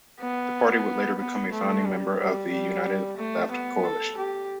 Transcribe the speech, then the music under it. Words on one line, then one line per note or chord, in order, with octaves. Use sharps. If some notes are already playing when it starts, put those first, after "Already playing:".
The party would later become a founding member of the United Left coalition.
B3
B3
A3
G3
G3
G3
A3
B3
A4
G4